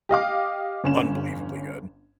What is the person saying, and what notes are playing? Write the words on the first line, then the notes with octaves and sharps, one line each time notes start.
unbelievably good.
G4 D#5 F5 D6
G1 C#4 E7